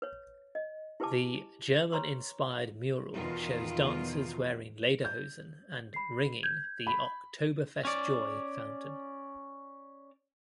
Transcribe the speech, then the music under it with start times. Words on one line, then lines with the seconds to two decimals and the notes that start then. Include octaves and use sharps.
The "German inspired" mural shows dancers wearing lederhosen and "ringing" the "Oktoberfest Joy" fountain.
0.02 B4 C#5
0.55 D#5
1.00 E4 G4 B4 G#5 A5 D6
1.92 B4 C#5 A#5 C6 C#6
3.15 E2 B2 D#3 F4
5.05 G6
5.94 B5 C7
6.43 G6 G#6
6.87 B5
7.85 C#4 D5